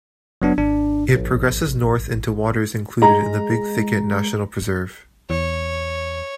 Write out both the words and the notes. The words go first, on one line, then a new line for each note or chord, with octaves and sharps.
It progresses north into waters included in the Big Thicket National Preserve.
F#1 F#3 B3 D4
G#1 D4
A#1
G#3 A#5
E2 C#5